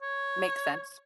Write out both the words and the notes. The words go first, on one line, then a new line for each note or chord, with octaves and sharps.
makes sense.
C#5